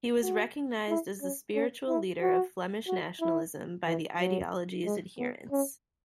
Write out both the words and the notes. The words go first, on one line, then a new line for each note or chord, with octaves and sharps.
He was recognised as the spiritual leader of Flemish nationalism by the ideology's adherents.
F#4
E4
C#4
C#4
E4
F#4
F#4
E4
E3
F#3
G#3
B3
C#4